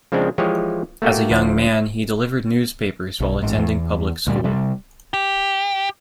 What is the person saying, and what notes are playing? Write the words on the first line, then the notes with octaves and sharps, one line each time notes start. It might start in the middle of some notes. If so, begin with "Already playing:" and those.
As a young man, he delivered newspapers while attending public school.
C#3 F3 G#3 C4 D4
E3 F3 G#3 G4 G#4 C#5
A3 A#3 F#4 G4
D2 F3 F#5 A5
B1
A1 G#2
E2
D2 A#2 G3
C3 G3
G4